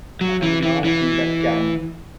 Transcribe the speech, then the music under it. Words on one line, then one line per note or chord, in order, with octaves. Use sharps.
I am now in that camp.
F#3
E3
E3
E3